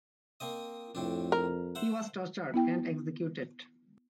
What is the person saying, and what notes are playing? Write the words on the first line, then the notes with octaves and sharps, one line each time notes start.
He was tortured and executed.
A#3 C4 D#5
F2 A2 C4 D4
A#4
C5 E5 F#5
B3 E4 G5